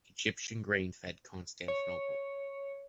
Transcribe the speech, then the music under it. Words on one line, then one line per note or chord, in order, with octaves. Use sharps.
Egyptian grain fed Constantinople.
C#5